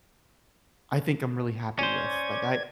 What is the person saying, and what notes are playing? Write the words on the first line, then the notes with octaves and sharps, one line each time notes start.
I think I'm really happy with, like, I
C#4 C5 D5 G#6